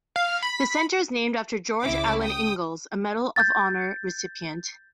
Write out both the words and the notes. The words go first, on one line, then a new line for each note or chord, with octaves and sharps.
The center is named after George Alan Ingalls, a Medal of Honor recipient.
F5
B5
C#2 C#3 E4 D6
G5 D#6
G6 A6